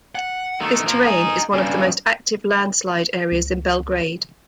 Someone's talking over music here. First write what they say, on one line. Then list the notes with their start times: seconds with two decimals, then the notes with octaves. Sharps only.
This terrain is one of the most active landslide areas in Belgrade.
0.15 F#5
0.60 D#3 A3
0.86 F3 A#3
1.05 D#4 G#4
1.53 G2 C#3
3.32 C#2